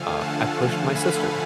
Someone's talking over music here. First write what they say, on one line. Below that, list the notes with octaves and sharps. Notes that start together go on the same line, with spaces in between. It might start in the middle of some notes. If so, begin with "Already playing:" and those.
uh, I pushed my sister,
Already playing: D3 F3 A3 A4 F5 G#5
F#5 A5
G#5 B5